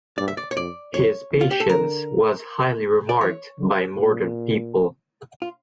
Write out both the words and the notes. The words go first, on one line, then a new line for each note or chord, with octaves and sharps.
His patience was highly remarked by modern people.
G2 D5
E5
D5
C#5
F2 D5
F2 C#5
E2
F4
G4
A4
D3 A#4
D5
E3 C#5
D3
A#2
F4